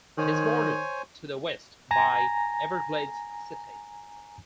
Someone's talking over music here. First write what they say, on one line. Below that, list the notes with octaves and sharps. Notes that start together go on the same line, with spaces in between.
It is bordered to the west by Everglades City.
D#3 C5 C#5 G#5
G#5 A#5 A#6